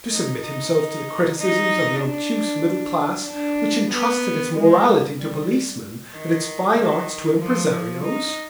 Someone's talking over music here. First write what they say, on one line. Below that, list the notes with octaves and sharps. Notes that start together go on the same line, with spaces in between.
To submit himself to the criticisms of an obtuse middle class which entrusted its morality to policemen and its fine arts to impresarios?
D#4
D#4
D#4
D4
D4
B3
G#3
G3
G3
D#3
D#3
F3
D#4